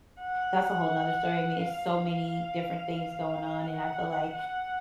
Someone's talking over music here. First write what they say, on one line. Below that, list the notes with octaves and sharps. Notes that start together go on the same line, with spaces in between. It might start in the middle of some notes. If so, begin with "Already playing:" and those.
that's a whole 'nother story, I mean, it's so many different things going on, and I feel like
F#5
F5
F#5
F#5